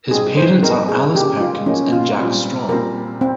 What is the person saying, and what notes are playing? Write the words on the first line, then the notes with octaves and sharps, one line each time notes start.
His parents are Alice Perkins and Jack Straw.
G#2 G3 C4 D#4 G#4
C5
G#2 G3 C4 D#4 A#4
G#4
C#3 F3 A#3 D#4 G4
F4
C#3 F3 A#3 C#4 D#4
F4
A#2 G3 C4
A#2 G3 C4 A#4
C4